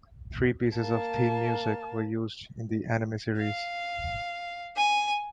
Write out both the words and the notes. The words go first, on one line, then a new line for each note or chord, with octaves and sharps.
Three pieces of theme music were used in the anime series.
A#3 A5
F5
G#5